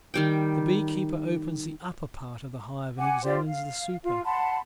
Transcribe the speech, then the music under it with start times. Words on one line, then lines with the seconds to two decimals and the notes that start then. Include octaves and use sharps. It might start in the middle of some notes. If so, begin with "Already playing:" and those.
The beekeeper opens the upper part of the hive and examines the super.
0.14 D#3 G3 G5
2.98 F#5 G#5 D6
3.23 F4 G4 C5 D5
3.44 F5
4.03 F4 F5
4.24 F#5 A5 B5 C6